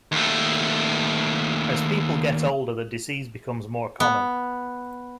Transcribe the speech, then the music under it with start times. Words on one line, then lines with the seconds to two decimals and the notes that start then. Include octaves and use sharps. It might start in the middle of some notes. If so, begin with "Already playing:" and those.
As people get older the disease becomes more common.
0.12 D#2 A3
4.00 B3